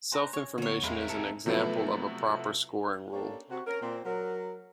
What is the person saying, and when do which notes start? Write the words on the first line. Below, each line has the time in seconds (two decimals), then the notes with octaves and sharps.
Self-information is an example of a proper scoring rule.
0.12 C5 F#5 G#5 A#5
0.33 C#5
0.58 D3 F#3 A#3 B3 F#4 C#5
0.83 E2 G#3 C4 E4 A#4 F5 C6
1.09 G4 A4 C#7
1.46 C3 F3 F#3 A3 B3 E4
3.13 A#3 C#4 D4 G4 A4
3.50 C3 F#4
3.67 C#4 A#4
3.82 A#2 C4
4.05 F#3 A#4